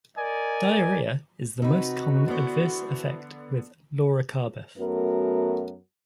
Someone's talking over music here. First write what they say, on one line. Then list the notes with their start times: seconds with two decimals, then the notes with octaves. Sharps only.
Diarrhea is the most common adverse effect with loracarbef.
0.17 A#4 D5 D#5 G#5
1.62 C3 D#4 F#4 B4
2.28 D3 B3 E4 C5
4.77 F#2 A3 B3 F#4 A#4